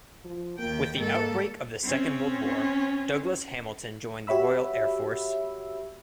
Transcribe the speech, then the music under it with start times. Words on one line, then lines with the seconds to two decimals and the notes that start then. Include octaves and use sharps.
With the outbreak of the Second World War, Douglas-Hamilton joined the Royal Air Force.
0.25 F3
0.59 D#2 A#3 G5
0.97 G#2 A#3 A4
1.83 C4 C#4
4.27 F#4 G4 C#5 E5 B5 E6